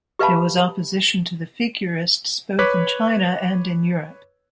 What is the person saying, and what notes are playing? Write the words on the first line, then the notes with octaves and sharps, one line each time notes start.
There was opposition to the Figurists both in China and in Europe.
G4 B4 E5 F5 A5 B5
B4 C#5 D6 F#6 B6